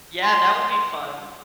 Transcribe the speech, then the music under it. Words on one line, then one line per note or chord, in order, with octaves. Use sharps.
Yeah, that would be fun.
C6